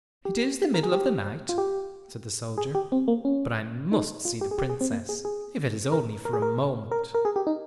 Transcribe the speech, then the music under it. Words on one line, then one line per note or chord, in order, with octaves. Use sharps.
"It is the middle of the night," said the soldier, "but I must see the Princess, if it is only for a moment."
G4
A#4
G#4
G4
F4
G4
G#4
G4
C4
A#3
C#4
D#4
F4
G4
G#4
G4
G#4
C4
A#3
G#4
G#4
A#4
A#4
G#4
A#4
A#4
A#4
G#4
G4
D#4